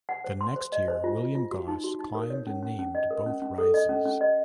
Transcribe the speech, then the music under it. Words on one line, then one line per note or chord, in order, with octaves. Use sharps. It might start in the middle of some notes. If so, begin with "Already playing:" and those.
The next year, William Gosse climbed and named both rises.
F#5
C5
C6
C5
D#5
C5
F4
F4
F4
F#4
D#4
F#4
D#4
A#4
C#5
C#4
C#4
C#4
D#5
A#4
C#4
C#4
A4
D#5
C#4
C#4
D#5